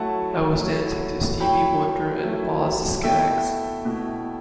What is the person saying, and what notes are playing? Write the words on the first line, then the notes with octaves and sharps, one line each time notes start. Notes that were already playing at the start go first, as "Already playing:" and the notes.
I was dancing to Stevie Wonder and Boz Scaggs.
Already playing: F#3 A3 E4 F#5 A5
F#3 A3 E4
F#3 A3 E4 G5 B5
F#3 A3 E4
B2 A3 E4 E5 G5
B2 A3 E4